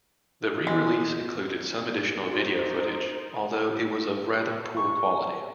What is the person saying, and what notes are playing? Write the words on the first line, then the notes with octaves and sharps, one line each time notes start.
The re-release included some additional video footage, although it was of rather poor quality.
E2 G#3
D#4 F#4 G4 A#4 C5
C#6